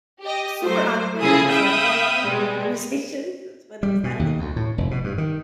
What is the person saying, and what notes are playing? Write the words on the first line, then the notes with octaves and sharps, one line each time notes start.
super awkward, so I don't like having phone conversations, as funny as that is.
G4 D#5
F#3 A3 C5
C#3 F3 E4 G#4 A4 D#6
E5 F5 G5 B5 D#6
B2 G3 G#3
G3
B2
D#2
D2
A2
F1
B2
G2
D#3